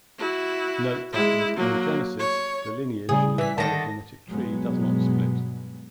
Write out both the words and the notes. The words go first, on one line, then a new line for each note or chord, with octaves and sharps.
Note that with anagenesis the lineage in a phylogenetic tree does not split.
E4 F#4
G#3 E4
F#3 A#3
C#5
A2 C#3 G3 G#4
E3 E5 B6
D3 D#3 A5 A#6
G2 B2 F#3 G#3 B3